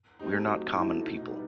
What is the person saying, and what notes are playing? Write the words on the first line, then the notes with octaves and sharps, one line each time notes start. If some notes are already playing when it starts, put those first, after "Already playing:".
We’re not common people.
A3 C4 D#4 G4
F#3 F#4
A3 C4 D#4 E4
B2 D#4
G3 B3